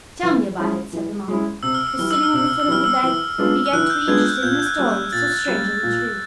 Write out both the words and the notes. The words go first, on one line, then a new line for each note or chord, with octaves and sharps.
"Tell me about it," said the monk, who, sitting on the foot of the bed, began to be interested in a story so strangely introduced.
E3
G#3 C#4 E4
E3
G#3 C#4 E4
C3 E6
F6
E6
E3 G3 F6
E6
F6
C3 E6
F6
E6
E3 G3 F6
E6
E3
G#3 B3 D4 F4
F6
E3 F#6
G6
G#3 B3 D4 F4 G#6
G6
A#2 G6
G6
F#6
G3 A#3 C#4
G6
A#2 A6
G3 A#3 C#4
A#2